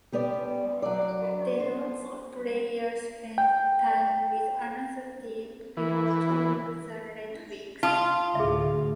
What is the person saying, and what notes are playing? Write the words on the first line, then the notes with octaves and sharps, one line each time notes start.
Denotes player spent time with another team before joining the Red Wings.
G3 B3 G4 D5
F#3 D5
C5
G5
E3
F4 A5 D#6
D2 A2 G#4 E5